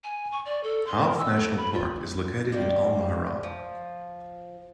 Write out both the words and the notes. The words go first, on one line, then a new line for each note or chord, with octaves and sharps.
Hauf National Park is located in Al Mahrah.
G#5
C#6
D5
A4
C6
A#4
E6
A4
B5
F4
D#3 G3 A#3
F3